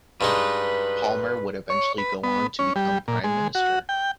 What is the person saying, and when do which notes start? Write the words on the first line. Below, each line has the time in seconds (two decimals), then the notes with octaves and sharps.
Palmer would eventually go on to become Prime Minister.
0.21 G2 G#3 D#4 B4
1.70 C#5
1.98 B4
2.23 B3
2.59 C#4
2.76 G3
3.08 A#2
3.24 G#3
3.55 F#4
3.89 G5